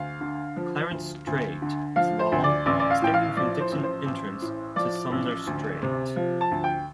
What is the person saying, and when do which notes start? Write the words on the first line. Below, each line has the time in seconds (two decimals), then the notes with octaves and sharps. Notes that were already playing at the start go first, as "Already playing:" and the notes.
Clarence Strait is long, extending from Dixon Entrance to Sumner Strait.
Already playing: D2 F5
0.21 D3
0.56 F3
0.91 D2
1.27 D2
1.62 D3
1.96 F3 F5
2.19 C5
2.32 D2
2.44 D5
2.66 A1 D5
2.80 D5
2.90 F5
3.02 A2 G5
3.14 F5
3.37 F3 D5
3.60 C5
3.72 A1
3.83 C5
4.06 A1
4.42 A2
4.76 F3 D5
5.12 A1
5.47 D2
5.82 C3
6.16 F3
6.41 A5
6.51 D2
6.64 G5